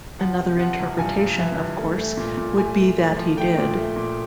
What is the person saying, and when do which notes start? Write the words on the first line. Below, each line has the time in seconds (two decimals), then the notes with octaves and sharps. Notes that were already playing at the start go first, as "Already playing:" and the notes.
Another interpretation, of course, would be that he did.
0.19 F3 F#5
0.39 C3
0.59 F3 F#5
0.80 C2
0.99 G2 G#5
1.19 G2
1.39 E3
1.58 G2
1.79 A3
1.98 A3
2.17 A#2
2.38 A#2
2.58 A3 G#5
2.77 A3
2.97 A3
3.17 F3
3.37 A3 G5
3.58 A#2
3.77 A3
3.96 A#2